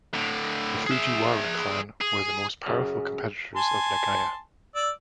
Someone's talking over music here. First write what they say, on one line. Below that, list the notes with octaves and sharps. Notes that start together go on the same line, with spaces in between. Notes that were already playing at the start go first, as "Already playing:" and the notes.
The Fujiwara clan were the most powerful competitors of Nagaya.
A2 D3
G#4 E5
G#4
F#2 C#3 G#4
G#5 A5 C6
D5 E6